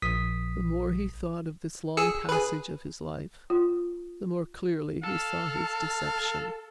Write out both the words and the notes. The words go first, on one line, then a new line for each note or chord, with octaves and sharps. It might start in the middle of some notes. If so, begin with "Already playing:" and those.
The more he thought of this long passage of his life, the more clearly he saw his deception.
A#1 D#6 B6
G#4 E6 C#7
G#4 B4
F4
A4 F5